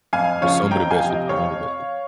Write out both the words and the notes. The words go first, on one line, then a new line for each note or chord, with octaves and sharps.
Or, some of the best hooper or one the best hoopers.
F2 F5 G#5
C#3 F3 C#5 F5
F2 G5 A#5
F5 G#5
C3 F3
D#5 G5
F2 C#5 F5